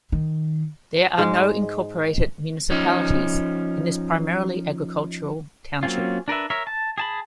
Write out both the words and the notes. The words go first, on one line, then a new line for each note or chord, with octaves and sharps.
There are no incorporated municipalities in this primarily agricultural township.
D#3
G#2 G#3
F3 C#4 D#4
F#3 A#3 C4 C#4 F4
D4 A#4 B4 E5
A#4 C#5 E5
A5
G#4 A5 B5